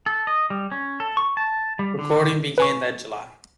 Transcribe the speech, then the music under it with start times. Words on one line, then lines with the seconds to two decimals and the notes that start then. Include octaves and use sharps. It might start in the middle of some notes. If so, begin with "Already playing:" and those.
Recording began that July.
0.06 A4
0.27 D#5
0.50 G3
0.72 C#4
1.00 A4
1.17 C#6
1.37 A5
1.79 G3
1.99 D3
2.58 B4 G#5 C#6